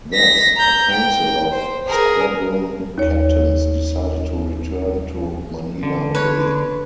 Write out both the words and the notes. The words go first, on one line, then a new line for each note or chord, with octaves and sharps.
Thus a council of squadron captains decided to return to Manila Bay.
A#6 B6
A#5 G6
G5
C5
G#4 A#4
D#2 C#5
D3
B4 C#5